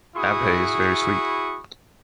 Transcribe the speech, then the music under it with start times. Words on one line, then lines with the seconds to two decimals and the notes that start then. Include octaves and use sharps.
Abhay is very sweet.
0.16 E4 F#4 G#4 B5 C#6 D#6